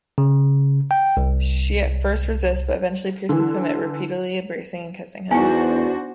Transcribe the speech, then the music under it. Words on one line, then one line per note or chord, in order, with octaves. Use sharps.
She at first resists but eventually appears to submit, repeatedly embracing and kissing him.
C#3
G5
C2
D3 E3
E2 B3 D4 D#4 F#4 C5 G#5